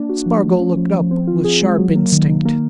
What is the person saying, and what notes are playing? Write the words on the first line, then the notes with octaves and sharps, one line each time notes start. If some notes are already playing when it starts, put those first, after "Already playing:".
Spargo looked up with sharp instinct.
Already playing: A#3 D4
F#4
F3
A3
C#4
F3
F3
C4
F4
G#4
G#3
F#3
A#3
D#3
D#3
A#3